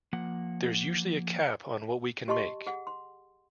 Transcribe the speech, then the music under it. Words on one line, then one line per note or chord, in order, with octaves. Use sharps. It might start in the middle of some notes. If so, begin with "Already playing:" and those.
There's usually a cap on what we can make.
F3 A#3 F#5
G4 D#5 A5 C6 C#6
G#4 F#5
C6